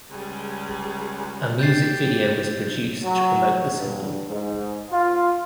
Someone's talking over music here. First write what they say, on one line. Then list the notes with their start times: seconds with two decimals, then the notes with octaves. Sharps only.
A music video was produced to promote the single.
0.10 C#2 G3 G#4
1.59 G4 G6 A6 C7
3.03 F#3
3.77 G2
4.28 G#2
4.91 F4